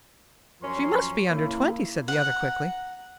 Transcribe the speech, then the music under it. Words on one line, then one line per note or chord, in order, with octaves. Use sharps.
"She must be under twenty," said the other, quickly.
F#2 F3 C#4 A#4 C6
C#3 A#3 E4
F#5 A#5